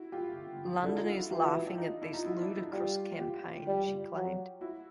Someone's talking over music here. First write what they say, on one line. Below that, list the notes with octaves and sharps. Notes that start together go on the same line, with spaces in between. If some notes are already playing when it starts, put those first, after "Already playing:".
"London is laughing at this ludicrous campaign", she claimed.
Already playing: E4 F#4
F4 G4
D3 E4 F#4
D#4 F4
E4 F#4
E3 F4 G4
E4 F#4
E4 F#4
D4 E4
D#4 F4
D4 E4
D#4 F4
E4 F#4
D4 E4
E4 F#4
G3 F4 G4
F4 G4
G3
F#3
E4 F#4